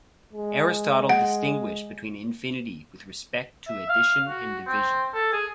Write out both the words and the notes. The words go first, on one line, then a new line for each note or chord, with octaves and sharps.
Aristotle distinguished between infinity with respect to addition and division.
G#3
F#5
E5
F5
F#4
C4
A4
G#4